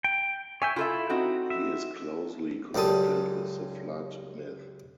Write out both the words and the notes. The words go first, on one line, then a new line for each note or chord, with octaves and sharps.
He is closely connected with the Flood myth.
G5
C#5 E5 G5 G#5
E4 F4 A4 E5
C4 D#4 F#4
E5
C#2 F#2 G3 A4 D#6